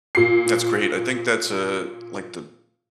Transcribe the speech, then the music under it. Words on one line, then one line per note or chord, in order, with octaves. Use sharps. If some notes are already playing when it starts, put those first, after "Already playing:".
That's great. I think that's, uh, like, the
A#2 C7